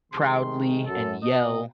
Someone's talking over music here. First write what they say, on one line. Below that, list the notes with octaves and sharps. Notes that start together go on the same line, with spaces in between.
proudly and yell,
C3 D#3 G#3 C6
F#2 A4
B2 D#5